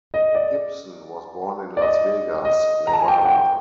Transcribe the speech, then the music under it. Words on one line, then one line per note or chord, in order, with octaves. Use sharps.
Gibson was born in Las Vegas, Nevada.
D#5
D5
D5
D#5
D#5
A#5
A5
G#5
G5
F#5
G5